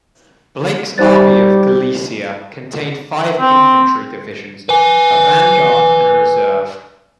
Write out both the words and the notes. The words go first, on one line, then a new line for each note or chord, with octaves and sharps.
Blake's Army of Galicia contained five infantry divisions, a vanguard and a reserve.
G3 D#4 G4 C5 A6
C4
B4 G#5